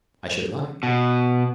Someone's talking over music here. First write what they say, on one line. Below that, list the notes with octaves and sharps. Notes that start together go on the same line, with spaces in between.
"I should like."
B2